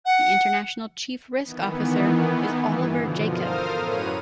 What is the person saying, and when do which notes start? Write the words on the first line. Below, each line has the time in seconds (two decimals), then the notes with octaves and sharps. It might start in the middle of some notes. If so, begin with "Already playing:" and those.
The international Chief Risk Officer is Oliver Jakob.
0.05 F#5
1.43 D#3 E3 B3
2.60 G2 E3
2.93 B2 D3 F3
3.25 A4 A#4 C5 F5 D#6 F6
3.73 F#2 A2 B4 C#5 A#5 D#7